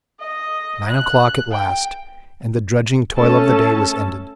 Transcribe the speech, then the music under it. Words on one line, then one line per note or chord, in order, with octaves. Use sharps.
Nine o'clock at last, and the drudging toil of the day was ended.
D#5
F#6
G5
A3 C#4 A4 A5